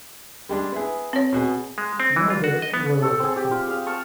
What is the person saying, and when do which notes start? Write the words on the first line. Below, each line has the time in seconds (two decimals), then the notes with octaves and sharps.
Neither were a success.
0.49 G3 G#3 D4
0.72 B3 E4 G#4
1.13 C4 C#5
1.33 B2 F#4 G#4
1.78 G#3
2.00 C4
2.16 E3
2.30 F4
2.44 F#4
2.62 D#5
2.74 B3
3.02 A4 C#5 G5
3.19 C4 G#4
3.36 G4
3.51 F4
3.67 G#4 F5
3.87 F5 A5 C#6